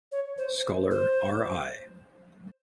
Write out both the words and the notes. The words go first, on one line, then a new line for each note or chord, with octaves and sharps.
Scholar R. I.
C#5
C5
C5